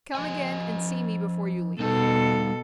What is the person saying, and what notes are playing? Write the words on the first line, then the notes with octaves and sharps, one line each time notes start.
Come again and see me before you leave.
F3 D#5 G#5
B2 G3 D#4 A4